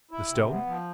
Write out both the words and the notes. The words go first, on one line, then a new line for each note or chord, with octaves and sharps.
The stone?
E4
C3
B3
F3